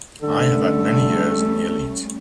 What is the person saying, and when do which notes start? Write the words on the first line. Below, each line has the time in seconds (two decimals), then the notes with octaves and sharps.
I have had many years in the elite.
0.22 D3 G3 A3 C#4 A4